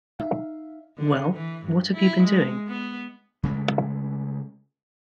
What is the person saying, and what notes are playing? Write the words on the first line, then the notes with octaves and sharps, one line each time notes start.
Well, what have you been doing?
D#4 E5 F5
D3
E3
G2
E4
G#3
B3
C#3 G#3 A3